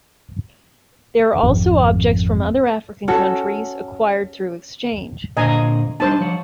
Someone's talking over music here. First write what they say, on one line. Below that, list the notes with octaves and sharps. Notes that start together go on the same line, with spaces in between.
There are also objects from other African countries acquired through exchange.
G#1 F2
C#4 F#4 A4
A#2 D3 C5 D#5 G#5 A#5
G3 D4 D#4 C5 A5
F3 C#5